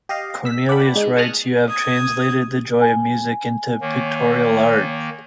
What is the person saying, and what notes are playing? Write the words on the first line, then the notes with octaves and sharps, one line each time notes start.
Cornelius writes, You have translated the joy of music into pictorial art.
G4 D#5 F5
E6 B6
D5 F#5 G5 A5 B5
G#3 D#4
G#5 A5 C#6 D#6 F6 F#6
D#6 G#6
G#5
D#3 A#3 C#5